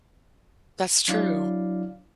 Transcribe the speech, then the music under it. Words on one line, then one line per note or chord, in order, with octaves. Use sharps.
That's true.
F#3 D4 E4 D5 F5